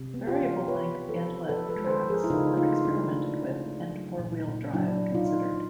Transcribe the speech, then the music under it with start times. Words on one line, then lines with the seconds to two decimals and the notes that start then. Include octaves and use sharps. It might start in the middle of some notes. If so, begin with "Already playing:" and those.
Variable length inlet tracts were experimented with and four wheel drive considered.
Already playing: C3
0.14 B3
0.27 F4 G4
0.41 E3
0.68 F3 B4 C#5
0.96 F3
1.09 A4 B4
1.23 F3
1.49 F3 A4 B4
1.69 A4 B4
1.76 G#3
1.85 C5
1.90 A4 B4
2.04 F3
2.10 G#4 A#4
2.24 E4
2.30 C#3 D#4 F4
2.57 A3 D#4 F4
2.85 C#3 D4 E4
3.11 A3 D4
3.38 C#3
3.66 A3
3.93 F#3
4.19 A#2
4.47 A#2
4.74 F#3 D4 E4
5.01 A#2
5.15 D#4 F4
5.29 F#3